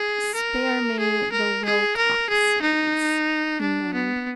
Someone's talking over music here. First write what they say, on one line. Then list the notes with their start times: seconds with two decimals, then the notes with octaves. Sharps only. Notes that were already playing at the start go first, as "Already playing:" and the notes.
"Spare me the Wilcoxes," he moaned.
Already playing: G#4
0.35 A#4
1.00 G#4
1.32 A#4
1.65 G#4
1.97 A#4
2.30 G#4
2.62 D#4
3.61 D4
3.94 B3